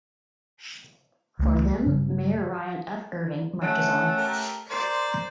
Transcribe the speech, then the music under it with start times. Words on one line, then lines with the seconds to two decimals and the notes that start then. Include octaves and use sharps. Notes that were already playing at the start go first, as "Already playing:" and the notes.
For them, Mayor Ryan F. Irving marches on.
1.39 C#2 A3
1.86 G2 C#3 G3
3.62 A3 C#4 F#5
4.17 G4 A#4
4.70 A#4 C5 D5 C6